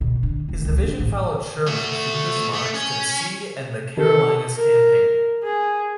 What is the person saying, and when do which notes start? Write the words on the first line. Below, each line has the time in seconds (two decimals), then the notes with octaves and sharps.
His division followed Sherman through his March to the Sea and the Carolinas Campaign.
0.01 B2
0.23 D3
0.49 F1
0.65 C#2
0.84 D4
1.00 A1
1.67 A3 F#4
2.55 A3
2.74 C#4
3.97 C3 D#3 A4
4.55 A#4
5.43 G#4